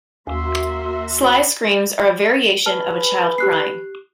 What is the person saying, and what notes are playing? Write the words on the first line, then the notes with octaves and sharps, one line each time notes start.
Sly's screams are a variation of a child crying.
D#2 A#3 F#4 E5 G#5 C6
G#4 B4 A5 F6
G4 F#6 C7